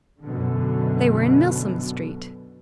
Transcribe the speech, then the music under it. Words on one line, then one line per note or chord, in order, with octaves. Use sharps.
They were in Milsom Street.
F#2 B2 D3